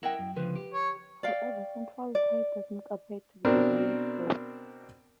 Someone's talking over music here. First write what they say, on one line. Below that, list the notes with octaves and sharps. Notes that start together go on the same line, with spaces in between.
However, Central Tai does not appear to be a valid group.
E4 A#4 D#5 E5 F#5 G5
F#2
C#2 D3 F3 B4
G4
C#5
D5 F5 G5
D5
B2 C4 D4 A#4